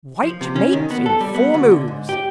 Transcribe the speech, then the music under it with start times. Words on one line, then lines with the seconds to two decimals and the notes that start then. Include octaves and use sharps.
"White mates in four moves."
0.23 F3
0.41 C3
0.56 C#4
0.73 D#3
0.91 B3
1.06 A4
1.21 G3
1.35 B3
1.54 D2
1.71 D3
1.88 G#2
2.09 G4